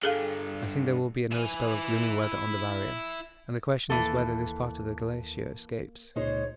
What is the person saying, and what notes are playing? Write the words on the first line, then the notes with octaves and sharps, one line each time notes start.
I think there will be another spell of gloomy weather on the Barrier, and the question is whether this part of the glacier escapes.
G2 D3 G#4 A4 F5
E4 G#5
D#2 E3 A#3 A4
C#2 A#2 G#3 D#4 C5 C#5